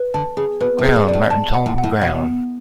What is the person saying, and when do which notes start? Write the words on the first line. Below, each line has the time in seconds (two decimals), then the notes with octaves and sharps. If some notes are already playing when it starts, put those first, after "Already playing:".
Ground, Martyn's home ground.
Already playing: B4
0.14 D3 A5
0.37 C#3 G#4
0.60 B2 B4
0.79 A2
0.85 G#4
0.96 G#2
1.08 B2 D5
1.13 A2
1.30 G#2 A5
1.54 F#5
1.66 A2
1.78 F#5
1.84 A2
2.01 B2 F#5